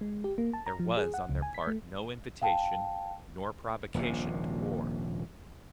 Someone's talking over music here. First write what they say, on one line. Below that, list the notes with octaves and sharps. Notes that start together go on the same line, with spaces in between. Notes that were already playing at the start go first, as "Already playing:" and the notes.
There was on their part no invitation nor provocation to war.
G#3
G4
A#3
A5
A#5
F3
G#4
F#5
C#2
G#5
B6
A3
F5 G5 A5
D#1 A#1 C3